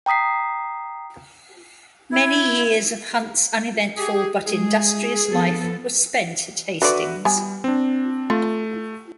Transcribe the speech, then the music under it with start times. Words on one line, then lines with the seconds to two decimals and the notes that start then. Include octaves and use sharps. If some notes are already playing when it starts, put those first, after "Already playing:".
Many years of Hunt's uneventful but industrious life were spent at Hastings.
0.06 G5 A#5 D#6 B6 C7
2.12 E4 G#6
3.97 G4 G#4
4.47 G#3 G#4
5.31 F3 B3 A4
6.82 D3 F#4 B4 D5 E5
7.25 G3 B3 G#5
7.64 C4 D4
8.30 A3 F4